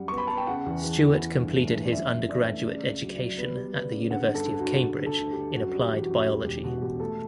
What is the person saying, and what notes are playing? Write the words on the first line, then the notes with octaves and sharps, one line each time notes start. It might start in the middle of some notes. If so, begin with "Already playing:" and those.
Stuart completed his undergraduate education at the University of Cambridge in applied biology.
Already playing: F#2 F#3 G3 F#5
B3 C#6
B5
B3 A5
G5
C#3 F#5
E2
E3
E2
E3
G1
A3
E3
D5
F#2 E5
F#2
E3 D5
A3
C#3
C#2
F#3
F#3
B3
G3
B3
C#3
D3 F#5
G1
A4
D3
F#4
G2
D3
D3 A4
D2
G4
D3
F#2 F#4
G3
G4
E3
F#4
F#2
E1 G4
E1 G4
B2 F#4
E1 G4
A3 A4